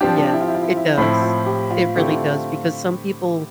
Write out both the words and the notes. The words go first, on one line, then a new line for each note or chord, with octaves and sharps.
Yeah. It does. It really does, because some people
F3 C4 D4 G4
D4
E4
F4
E4
F4
E4
F4
E4
A2 F3 C4 E4
F4
G4
F4
D3 A3 C4 E4 G4